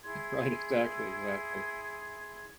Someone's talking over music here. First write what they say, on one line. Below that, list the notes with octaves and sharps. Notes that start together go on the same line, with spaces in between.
Right, exactly, exactly.
E4 G#4 C6 G#6